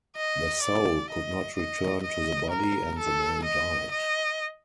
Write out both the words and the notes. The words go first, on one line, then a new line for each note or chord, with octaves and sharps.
The soul could not return to the body and the man died.
D#5
D5
D#5
D#5
D#5
A#4
A4
D#5
D#5